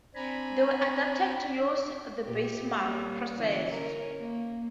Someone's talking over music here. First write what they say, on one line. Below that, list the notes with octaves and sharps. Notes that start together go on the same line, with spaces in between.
They were adapted to use the Bessemer process.
C4 D4 G#5 A#5 B5
A#2 G4
G3 A#3 C#4
D3 E3 C#4
C#4 A#4
A#3